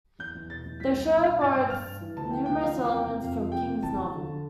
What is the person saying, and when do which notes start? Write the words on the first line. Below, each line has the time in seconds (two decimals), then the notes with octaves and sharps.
The show borrowed numerous elements from King's novel.
0.19 E2 G6
0.35 E2
0.50 B2 A6
0.65 E2
0.80 C2 B6
0.94 C2
1.10 B2
1.25 B2
1.40 G2 A6
1.55 G2
1.70 G2 F6
1.86 G2
2.01 E3
2.16 D2 A5
2.31 E3 G5
2.46 D2 G5
2.61 F3 F5
2.77 E2
2.92 C3 G5
3.08 C3
3.22 F2 F5
3.38 F3
3.52 C3 G5
3.67 C3
3.83 E2 A5
3.98 E2
4.13 D3
4.28 D3